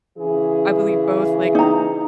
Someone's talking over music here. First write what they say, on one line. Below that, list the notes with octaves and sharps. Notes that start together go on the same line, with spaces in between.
I believe both, like,
C#3 E3 G#4
D#4 A#5